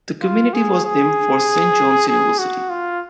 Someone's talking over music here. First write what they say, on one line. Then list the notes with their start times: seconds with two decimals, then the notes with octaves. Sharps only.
The community was named for Saint John's University.
0.23 F4
0.54 G#4
0.85 G#4
2.09 G#4
2.39 F#4
2.70 F4